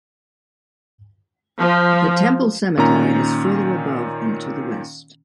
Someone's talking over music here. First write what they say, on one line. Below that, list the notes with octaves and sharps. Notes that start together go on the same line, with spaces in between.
The temple cemetery is further above and to the west.
F3
A#2 D#3 C#4 A#5